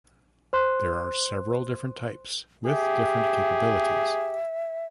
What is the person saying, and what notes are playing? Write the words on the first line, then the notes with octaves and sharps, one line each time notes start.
There are several different types with different capabilities.
C5 C6 F#6
G4 G#4 E5